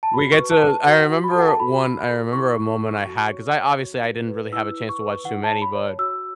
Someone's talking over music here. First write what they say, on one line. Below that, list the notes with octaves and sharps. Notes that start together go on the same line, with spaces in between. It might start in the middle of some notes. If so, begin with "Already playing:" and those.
We get to I remember one I remember a moment I had, 'cause I obviously I didn't really have a chance to watch too many, but
A5
F#4 B5
C#6
B4
A5
B4
A5
F#4 F#5
F#4
B5
A5
A4 F#5
A5
F#4 B5
F#4
A4
E4 C#6
E4
A4
F#4
C#5
C#5
F#4
B4
B4
E4 E6
B4
C#6
B4
E4 F#5
A5
C#5
B5
C#5
F#4 E6